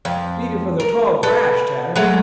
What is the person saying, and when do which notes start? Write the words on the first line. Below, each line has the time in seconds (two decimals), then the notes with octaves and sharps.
"Beat it for the tall grass, Tad!"
0.05 F2
0.80 A#4
1.23 A4 B4
1.96 F#3 G#3 A3